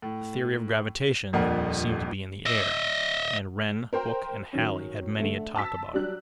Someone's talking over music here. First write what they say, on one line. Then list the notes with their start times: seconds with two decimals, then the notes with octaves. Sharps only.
The theory of gravitation seemed to be in the air, and Wren, Hooke, and Halley had many a talk about it.
0.02 A2
1.33 D#1 F2 F3 A#3 D4 F#5
2.46 D#5 E5
3.93 A#4 C5 G5 C6
4.53 D#3 F#3 C#4
5.20 D3 A3
5.56 A5 E6 B6
5.93 F#3 G3 D4 F#6